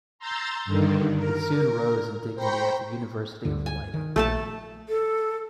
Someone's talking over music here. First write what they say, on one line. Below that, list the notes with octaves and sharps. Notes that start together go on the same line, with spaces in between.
He soon rose in dignity at the University of Leiden.
A#5 C6 E6 G6 A6
G2 D3 D#3
A#4
C5 G5 A#5 B5 C#6
D2 G2 D3
G#5
D#3
A#1 A3 A4 A5
A4